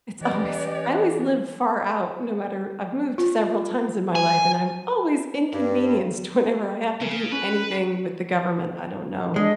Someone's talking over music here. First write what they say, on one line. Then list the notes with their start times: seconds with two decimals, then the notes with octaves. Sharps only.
it's always I always live far out no matter I've moved several times in my life, and I'm always inconvenienced whenever I have to do anything with the government. I don't know.
0.21 E3 C#4 G4 B4 D5 D#5
3.18 F4
4.15 G#5
5.52 G2
7.01 C#3
7.32 C#4 B4
9.36 G#3 D4 D#5